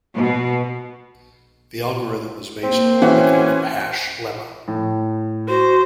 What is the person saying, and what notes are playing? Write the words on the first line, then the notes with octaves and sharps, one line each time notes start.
The algorithm is based on the leftover hash lemma.
B2
A#3 C4
E3 C#4 F#4 G#5
A2
F#4 C5